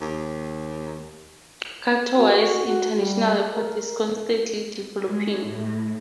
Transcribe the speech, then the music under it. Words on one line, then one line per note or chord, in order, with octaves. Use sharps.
Katowice International Airport is constantly developing.
D#2
F#4
F#4
G3
A#4
G#3
A2